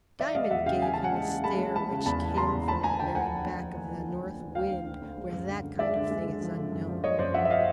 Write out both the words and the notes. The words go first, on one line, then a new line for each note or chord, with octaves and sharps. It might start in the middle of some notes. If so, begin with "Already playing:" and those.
Diamond gave him a stare which came from the very back of the north wind, where that kind of thing is unknown.
E3 D5 E5
G#3 D#5 F5
E2 E5 F#5
C#3 F5 G5
E3 G#5
C#3 A5
F#5 G#5
G#3
C#3
G#3 A5 B5
G#3
G#3 A5 B5
C#3
E2 A5 B5
E3
B5
C#3 A#5 C6
E2
D2 A5 B5
D2 G#5 A#5
D3 G5 A5
D2 F#5 G#5
F3
D2
F3
D2
F3
D2
D2
D2
D2 F5 G5
D2
D2
D2
G#3
F#2
D3
D3
G#3 D5 E5
D3
G#3
D3
F3
D3
F#2
F3
F3 C#5 D#5
F#2 C5 D5
F3 E5 F#5
E5
D#5 F5